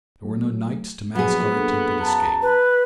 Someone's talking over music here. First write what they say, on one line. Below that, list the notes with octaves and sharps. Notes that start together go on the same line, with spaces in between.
There were no nights to mask our attempted escape.
F#3 A3
A#1 F#3 B3 G#4
A#3 D4 A4
F#2 A5 A#5
B4